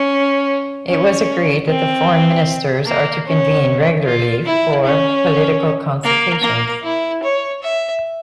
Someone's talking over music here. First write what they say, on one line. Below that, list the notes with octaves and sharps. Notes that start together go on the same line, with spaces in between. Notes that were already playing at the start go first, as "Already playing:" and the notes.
It was agreed that the Foreign Ministers are to convene regularly for political consultations.
Already playing: C#4
C#4
C4
A#3
C#4
F4
E4
C#4
A#3
A#3
E4
C#5
E5